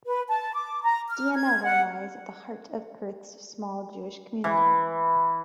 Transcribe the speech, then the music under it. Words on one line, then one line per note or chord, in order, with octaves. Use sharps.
Dianella lies at the heart of Perth's small Jewish community.
B4
A5
D6
A#5
F6
G#6
F#5
E3